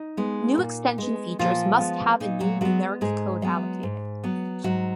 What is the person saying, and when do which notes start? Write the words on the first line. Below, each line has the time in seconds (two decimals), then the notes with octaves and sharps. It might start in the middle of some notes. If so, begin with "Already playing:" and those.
New extension features must have a new numeric code allocated.
Already playing: D#4
0.17 G#3 B3
0.58 A#2
0.98 G#3 B3
1.39 A#2 F3 F4
1.80 G#3 B3
2.20 A#2 D#4
2.40 F#3 F#4
2.61 F#3 G#3 B3 F#4
3.01 G#2 G#3 G#4
3.42 F#3 B3
3.83 G#2
4.24 F#3 B3
4.64 G#2 F#3 F#4